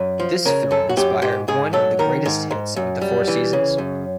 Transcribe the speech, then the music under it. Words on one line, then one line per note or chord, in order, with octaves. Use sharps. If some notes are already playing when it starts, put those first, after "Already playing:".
This film inspired one of the greatest hits of The Four Seasons.
Already playing: F#2
F3
C#3 A#4
F#2 A4
F#4
F#2 G4
G#2 G4
G#2 G#4
F#3 A4
D#3 A#4
G#2
G#2
F#2
G3
E3
C#3
F#2